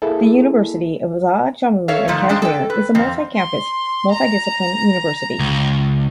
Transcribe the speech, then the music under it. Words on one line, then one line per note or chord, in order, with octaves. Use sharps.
The University of Azad Jammu and Kashmir is a multi-campus, multi-discipline university.
A#3 E4 G#4 A4
A4 C#5 E5 F5
G#2 D#3 F3 A3
G#2 G#3 D4 G5 A5
A4 G5
B4
F2 F3 C4
C6
A#5
C#2